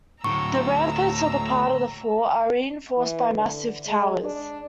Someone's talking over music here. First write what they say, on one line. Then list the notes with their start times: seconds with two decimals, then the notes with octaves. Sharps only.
The ramparts of this part of the fort are reinforced by massive towers.
0.24 D2 A2 A#5 C#6 E6
2.97 E3
3.37 D3
3.86 G#3
4.24 D4